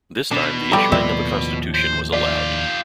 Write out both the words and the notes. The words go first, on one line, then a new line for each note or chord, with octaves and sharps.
This time the issuing of a constitution was allowed.
B2 D4
F3 G3 A4 B5 D6
D#2 A2 F3 G3 C4 D5 E5
C5
F4 G4 D5